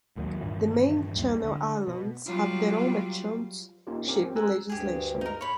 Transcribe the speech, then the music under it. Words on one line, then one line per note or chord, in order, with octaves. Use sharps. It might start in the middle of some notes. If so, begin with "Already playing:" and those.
The main Channel Islands have their own Merchant Shipping Legislation.
A#1 D#2 D#3 F#3
G2 A#2 D#3 E3
A#1 D#2 G3
D3
B2
F#3 G3 F4
A#3 C#4 D#4 F4 G4
C4 C#4 G4 A#4
C4 C#4
G#5 A#5 E6 F#6
D2 G2 G4 G#4
D#4 A#4
A2 C#5 B5